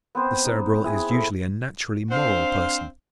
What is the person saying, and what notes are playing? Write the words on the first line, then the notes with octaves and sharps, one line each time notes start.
The Cerebral is usually a naturally moral person.
B3 C4 C5
D#4
E4 G#4
E4 A4
C4 D4 C5 F5